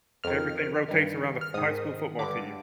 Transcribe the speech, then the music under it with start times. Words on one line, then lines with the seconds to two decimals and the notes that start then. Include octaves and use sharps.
everything rotates around the f high school football team.
0.24 F2 D#3 F6
0.89 G2 D#3
1.41 F6
1.54 G#2 D#3 D#6
2.19 G2 D3 D6